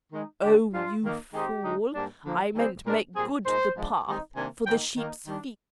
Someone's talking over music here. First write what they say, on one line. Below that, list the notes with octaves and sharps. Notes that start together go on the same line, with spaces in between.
"Oh, you fool, I meant make good the path for the sheep's feet."
D#3 G#3 D#4
G2 D3 G#3 D4 G4
G#2 G3 D4 F4
D#3 A#3 D#4
D#3 G#3 C4 D#4 G4
D3 G#3 D#4
G#2 G3 A#3 D4
D3 F3 A#3
D#3 G3 C4 G#4
A#2 G#3 D4 A#4
A#2 G3 C4 G#4
A#2 G#3 D#4 C5
G#2 F3 G#3 D4
D#3 G3 C4 D#4
C3 D#3 A#3 D4 G#5
G#2 D#3 A#3 D#4 G5
D#3 A#3 D#4
D#3 G3 D4